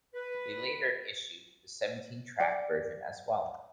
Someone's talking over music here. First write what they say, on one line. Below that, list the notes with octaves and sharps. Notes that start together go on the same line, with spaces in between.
They later issued the seventeen-track version as well.
B4
D5